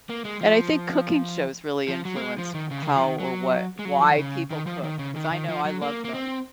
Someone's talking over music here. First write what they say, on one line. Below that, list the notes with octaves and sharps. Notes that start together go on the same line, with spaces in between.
and I think cooking shows really influence how or what why people cook, 'cause I know I love them,
A#3
G#3
F3
F3
F#3
A#3
G#3
F3
D#3
C#3
D#3
C#3
F3
D#3
F#3
G#3
F#3
F3
D#3
C#3
D#3
F3
D#3
C#3
D#3
D#3
F3
F#3
A#3
A#3
C4